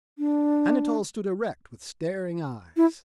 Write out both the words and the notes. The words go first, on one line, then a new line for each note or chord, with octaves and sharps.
Anatole stood erect with staring eyes.
D4
E4